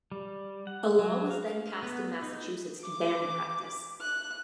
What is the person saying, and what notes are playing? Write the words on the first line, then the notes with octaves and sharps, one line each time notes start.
A law was then passed in Massachusetts to ban the practice.
G3
F#5
F#3
F5
B3
D#4
D6
F#6